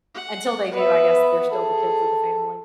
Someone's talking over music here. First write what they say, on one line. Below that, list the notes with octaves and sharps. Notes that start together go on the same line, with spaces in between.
until they do, I guess they're still the kids of the family.
F#5
B3 B4 E5
G#4 A4